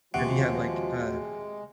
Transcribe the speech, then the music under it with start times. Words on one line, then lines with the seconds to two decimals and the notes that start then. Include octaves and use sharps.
Have you had, like, uh,
0.14 D#2 C3 F3 G#3 F#4